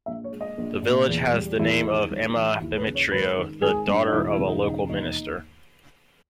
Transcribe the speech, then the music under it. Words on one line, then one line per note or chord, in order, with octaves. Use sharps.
The village has the name of Emma Bemetrio, the daughter of a local minister.
A#1 E5
C#5
G#3
D#5
A#1
A#2
E2
G3
E2 E4
D#3
G3
E3
D#2 E4
B4
C#3
C#5
G#1 B4
D#3
G#1 G#4
G2
D#4
E1 E4
E4
C#3
D#4
E1 D#4
D#2 D#4